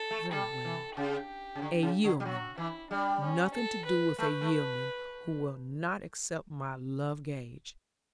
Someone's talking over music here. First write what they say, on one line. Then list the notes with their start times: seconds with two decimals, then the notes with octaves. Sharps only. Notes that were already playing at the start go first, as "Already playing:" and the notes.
'Very well, a yeoman--nothing to do with a yeoman who will not accept my love-gage.
Already playing: A4
0.11 A3
0.32 G3 A4
0.65 E3
0.96 C#3 G4
1.55 C#3
1.62 D3
1.82 C#3
2.04 D3
2.20 G3
2.25 F#3 F#4
2.58 E3 E4
2.90 G3 D4
3.22 C#4
3.54 A4
3.87 B4
4.18 A3 B4
4.41 A3